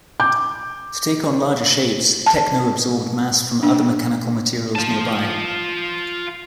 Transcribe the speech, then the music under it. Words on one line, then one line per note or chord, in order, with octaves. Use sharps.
To take on larger shapes, Techno absorbed mass from other mechanical materials nearby.
D6 G6
A5
D4
F4 A5